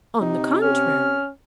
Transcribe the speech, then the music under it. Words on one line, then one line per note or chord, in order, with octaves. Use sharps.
On the contrary!
C3 D#4
C#4 F6